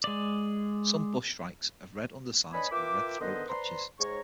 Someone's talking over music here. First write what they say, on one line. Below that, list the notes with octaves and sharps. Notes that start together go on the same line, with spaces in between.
Some bush shrikes have red undersides or red throat-patches.
G#3 D5
D4 B4 C#5 D#5 G#5 B5
F4 A#4 B4 E5 G5 D6
D3 D#3 B3 B4 C5 D#5
B4 C5 D5 A#5 C6
G#2 C#5 A#5 C#6